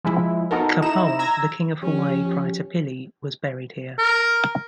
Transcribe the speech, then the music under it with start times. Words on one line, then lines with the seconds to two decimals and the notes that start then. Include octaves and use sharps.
Kapawa, the king of Hawaii prior to Pili, was buried here.
0.04 F3 G#3 E4
0.51 B3 D#4 F#4 A4 A#4
0.82 D#4 E4 A#5 E7
1.19 A#5 E6 G#6 A#6
1.83 F3 C#4 G4
3.99 A#4